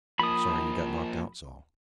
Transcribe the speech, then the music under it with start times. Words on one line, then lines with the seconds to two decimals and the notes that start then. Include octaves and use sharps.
"I'm sorry you got knocked out so."
0.19 F3 A#3 B5 D#6